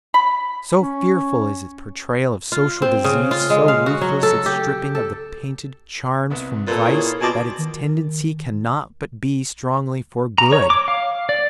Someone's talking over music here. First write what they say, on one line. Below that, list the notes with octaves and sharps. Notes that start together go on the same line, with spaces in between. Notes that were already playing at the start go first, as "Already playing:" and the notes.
So fearful is its portrayal of social disease, so ruthless its stripping of the painted charms from vice, that its tendency cannot but be strongly for good.
B5
C#4
F4
C4
C#3
F4
G#3
F5
F#4
F#3
A4
G4
A4
C2 B3
A#2 A4 B4
E4 G#4 C#5
B2 F4 G#5 A5 D6
D#3
A#5
C#5
D6
F5
D5